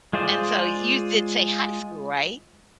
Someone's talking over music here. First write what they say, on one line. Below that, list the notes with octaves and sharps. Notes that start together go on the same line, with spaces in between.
And so you did say high school, right?
G#3 F4 G#4 C5 D5